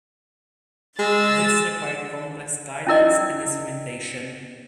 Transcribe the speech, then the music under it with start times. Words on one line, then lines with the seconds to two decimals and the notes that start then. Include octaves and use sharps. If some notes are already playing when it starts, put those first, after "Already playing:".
This required complex guidance and instrumentation.
0.99 G#3 E6 A6
2.87 C#4 D#4 E4 A#4 D5 D#5